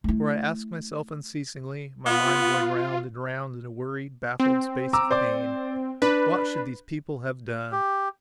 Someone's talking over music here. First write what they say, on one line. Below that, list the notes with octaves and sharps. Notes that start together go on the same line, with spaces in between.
For I ask myself unceasingly, my mind going round and round in a weary, baffled space of pain--what should these people have done?
A3 E4
B3 F4
C4
A#5 D6 E6
C5 D5 D6
D4 B4
G4